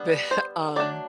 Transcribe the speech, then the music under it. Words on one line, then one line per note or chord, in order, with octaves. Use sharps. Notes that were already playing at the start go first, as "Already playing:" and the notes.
But, um
Already playing: G3 B3 D4
C5
F#3 A3 D4 D5